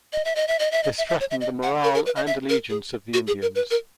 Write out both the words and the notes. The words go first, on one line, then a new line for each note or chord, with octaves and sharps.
This threatened the morale and allegiance of the Indians.
D#5
E5
D#5
E5
D#5
E5
D#5
E5
E5
C#5
E5
D#5
F#5
A#4
A#4
B4
D#5
E5
A#4
G#4
F#4
G#4
A#4
B4
A#4